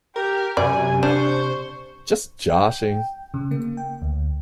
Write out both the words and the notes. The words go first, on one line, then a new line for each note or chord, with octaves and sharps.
Just joshing!
G4 A#4
F#2 C3 D5 G#5
D4 C5 C#6
G5
C#3
A#3
G5
D2